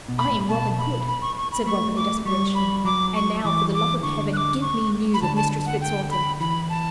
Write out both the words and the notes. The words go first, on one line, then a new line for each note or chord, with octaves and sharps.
"I am Robin Hood," said Robin, in desperation, "and now, for the love of Heaven, give me news of Mistress Fitzwalter."
B2
B5
A2
B2 A5
B5
B5
C#6
C#6
B5
A3 C#6
D6
G3 C#6
B5
F#3 D6
C#6
E3 D6
D6
D3 C#6
F#6
D6
C#6
B5
D3 A5
A5
F#5
G5
B5
E3 B5
A5